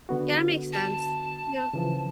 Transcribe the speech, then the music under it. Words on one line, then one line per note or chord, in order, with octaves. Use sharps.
Yeah, that makes sense, yeah.
D3 B3 F#4
A5
C#3 E3 F3